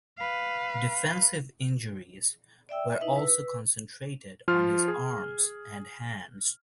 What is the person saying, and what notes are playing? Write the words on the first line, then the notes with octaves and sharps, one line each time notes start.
Defensive injuries were also concentrated on his arms and hands.
B4 F5
D5 E5 G5 E6
D#5 E5
D#4 E4 B4 E5
B4 E6
F3 F4 F6
G#4